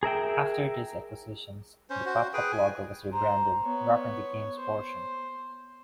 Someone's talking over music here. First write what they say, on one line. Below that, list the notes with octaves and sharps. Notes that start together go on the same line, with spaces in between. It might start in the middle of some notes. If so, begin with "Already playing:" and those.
After these acquisitions, the PopCap logo was rebranded, dropping the "Games" portion.
G#4 A#4 E5 G5
C#4 C5
F#4 C5
G#4 B4 G5
G#5
C5 A#5
B3 C#5
C5